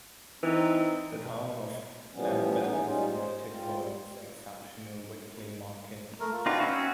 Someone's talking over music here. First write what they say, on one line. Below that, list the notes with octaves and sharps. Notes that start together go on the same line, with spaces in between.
The town of Lamballe is noted for its exceptional weekly market.
E3 C4 D#4
A2 E3 F3 G3 B3 C#4
E3 G#3 B3 C#4 D#4
G3 G#3 C#4 D#4 F4
C5
G#2 C4 F4
G3
A3 A#4
F4
C4 D4 D#4 F4 F#4 B4
C4 C#4 F#4 E5